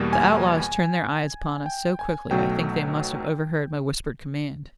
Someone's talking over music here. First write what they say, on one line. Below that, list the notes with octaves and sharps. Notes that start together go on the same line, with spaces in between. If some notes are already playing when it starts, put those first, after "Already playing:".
The outlaws turned their eyes upon us so quickly I think they must have overheard my whispered command.
Already playing: E2 B2 G3 A#3
G#5
G5
G#5
B1 B2 F#3 A3 G5